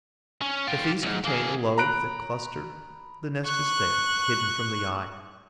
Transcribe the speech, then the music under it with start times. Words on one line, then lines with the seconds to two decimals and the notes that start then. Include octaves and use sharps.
If these contain a low, thick cluster, the nest is there, hidden from the eye.
0.42 C#4
0.68 F4 G4
1.03 C2 G#2
1.25 A#3 G#4
1.78 A#5 B5 F#6 D7
3.45 C#6 F#6